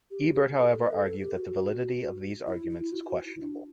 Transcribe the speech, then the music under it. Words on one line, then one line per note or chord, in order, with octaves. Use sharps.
Ebert, however, argued that The validity of these arguments is questionable.
G4
G4
A4
A4
B4
A4
A4
G4
F#4
E4
E4
E4
F#4
E4
F#4
E4
D4